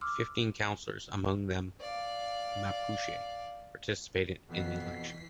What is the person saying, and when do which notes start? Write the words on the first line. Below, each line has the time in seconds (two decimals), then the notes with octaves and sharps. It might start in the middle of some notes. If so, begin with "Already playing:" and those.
Fifteen councilors, among them Mapuche, participated in the election.
0.01 C6 D6 E6 F6
1.81 D5 F5
4.48 F2 B2 E3 B6 C7